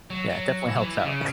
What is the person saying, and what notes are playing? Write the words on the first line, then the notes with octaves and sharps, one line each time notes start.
Yeah, it definitely helps out.
F#3
F#3
E3
F#3
E3
C#3